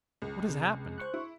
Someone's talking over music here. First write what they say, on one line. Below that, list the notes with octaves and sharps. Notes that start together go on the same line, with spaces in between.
What has happened?
C#2
C3
C5 C#6 F#6
E4